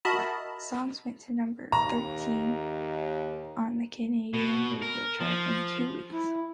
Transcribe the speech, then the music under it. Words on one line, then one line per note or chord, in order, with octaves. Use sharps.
The song went to number thirteen on the Canadian radio charts in two weeks.
F#4 A#4 D#5 E5 A5 B5
D#2 A#5
B2
A#4
F3
E4